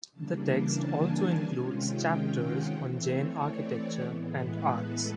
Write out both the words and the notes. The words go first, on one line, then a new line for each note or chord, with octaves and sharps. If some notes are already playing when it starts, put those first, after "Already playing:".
The text also includes chapters on Jain architecture and arts.
C#3 E3 G3 A#3 D4 A5
A5
G#5
A5
C3 D#3 G#3 C#4 F4 G#5
G5
F#5
E3 A3 C4 E5
C#5
D5
C#5
A2 E3 G#3 B3
B4
A4